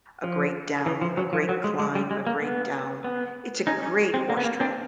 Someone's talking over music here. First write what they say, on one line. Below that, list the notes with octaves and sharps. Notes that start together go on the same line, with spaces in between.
a great down, a great climb, a great down. It's a great horse trail,
F3
E3
F3
F#3
F3
F#3
G#3
G#3
G3
G#3
A#3
B3
B3
C#4 D#4
C#4 D#4
C4
A#3
B3
A#3
C4 D4